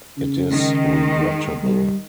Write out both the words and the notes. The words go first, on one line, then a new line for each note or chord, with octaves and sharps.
It is regrettable.
C#3
D#3 G#3
G3